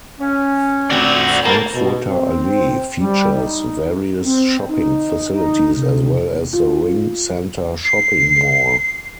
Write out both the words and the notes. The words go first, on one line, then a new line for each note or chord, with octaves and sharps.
Frankfurter Allee features various shopping facilities as well as the Ring-Center shopping mall.
C#4
D2 A#2 C4 F#4 D5
A#3 B4 C5 A5
B2
C4
G3
D#4
C4
D#4
D#4
C3
F4
C7